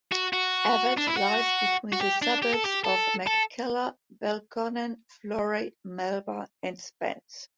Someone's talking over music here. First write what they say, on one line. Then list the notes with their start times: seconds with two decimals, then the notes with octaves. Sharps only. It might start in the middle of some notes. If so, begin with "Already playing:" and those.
Evatt lies between the suburbs of McKellar, Belconnen, Florey, Melba and Spence.
0.12 F#4
0.33 F#4
0.97 D4
1.07 E4
1.17 F#4
1.93 F#4
2.01 G4
2.22 D4
2.43 G4
2.54 A4
2.66 G4
2.85 A4
3.27 A4